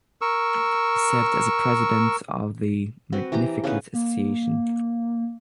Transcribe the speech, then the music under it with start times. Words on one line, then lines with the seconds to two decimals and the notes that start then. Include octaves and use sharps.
He served as president of the Magnificat Association.
0.21 A#4 C#6 E6
3.12 C4 F#4 B4
3.32 E3 G4 A#5 D6
3.64 C#3 B3 D#4 B4
3.94 A#3